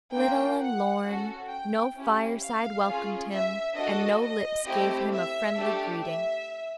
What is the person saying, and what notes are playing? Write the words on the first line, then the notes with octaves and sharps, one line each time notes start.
'Little and lorn; no fireside welcomed him and no lips gave him a friendly greeting.'
A#3 D4 F4 G5
F#5
C#4 F#4 A4
G5
C#4 E4 G4
F5
C#4 F4 G#4
E5
D4 F#4 A4 D#5
D#5
A3 C4 E4 G4
E5
A3 D4 G4
E5